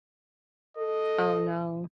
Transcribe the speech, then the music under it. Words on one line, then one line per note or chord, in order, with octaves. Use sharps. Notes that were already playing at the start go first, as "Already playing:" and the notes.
Oh no.
A4 D#5